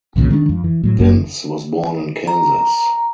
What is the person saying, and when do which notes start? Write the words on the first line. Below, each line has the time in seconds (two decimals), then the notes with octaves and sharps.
Vincze was born in Kansas.
0.16 B1 E2 A#2 C#3
0.30 D#3 G#3 C4 D4
0.49 F2
0.64 E3
0.83 A2 F#3
0.98 F#1 F#2 A#3
2.27 A#5